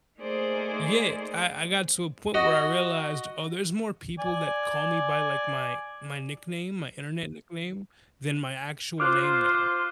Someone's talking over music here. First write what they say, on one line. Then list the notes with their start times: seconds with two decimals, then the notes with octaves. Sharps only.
Yeah. I I got to a point where I realized, oh, there's more people that call me by, like, my my nickname, my Internet nickname than my actual name now.
0.20 A3 A#3 D#4 G#4 C5 D5
2.34 F#4 D#5
4.19 D5 G#5
9.00 F4 C5 D6 F6 F#6